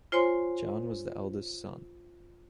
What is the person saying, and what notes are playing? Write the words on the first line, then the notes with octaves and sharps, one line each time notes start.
John was the eldest son.
F4 C5 C#5 G#5 C6